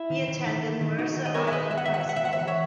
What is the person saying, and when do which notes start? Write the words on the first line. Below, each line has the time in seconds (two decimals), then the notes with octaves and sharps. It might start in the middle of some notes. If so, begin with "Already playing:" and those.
He attended Mercer Island High School.
Already playing: E4
0.10 D#3
0.28 D#3
0.46 D#3
0.63 A#3
0.81 D#3
0.99 D#3 D#4 F#4
1.16 D#3
1.26 D#5
1.34 B3 A#4 C#5
1.47 E5
1.52 D#3 B4 D#5
1.70 G#3 E5
1.78 F#5
1.85 D#3 E5
1.94 F#5
2.01 E5
2.06 D#3 F#5
2.16 E5
2.24 D#3 F#5
2.33 E5
2.39 E3 F#5
2.47 C#5 E5